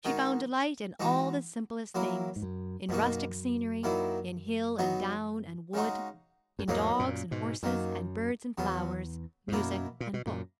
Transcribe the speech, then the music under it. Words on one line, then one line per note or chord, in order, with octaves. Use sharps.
She found delight in all the simplest things, in rustic scenery, in hill and down and wood, in dogs and horses, and birds and flowers, music and books.
D#3 G#3 D#4 F#4
E3 G#3 D#4 F#4
F#3 A#3 E4
G#2
F#2
F#2 B2 A#3 D#4 F#4
D#3 F#3 A#3 E4
F#3 B3 D#4 F#4
C#3 G#3 D#4 F#4
F#2
E2 G#2 F#3 A#3 D#4
F#2 A#2
G#2 B2
F#2 D#3 F#3 A#3
E2 C#3 F#3 B3
G#2
F#2 B2 A#3 E4
A#2
B2
F#2 A#2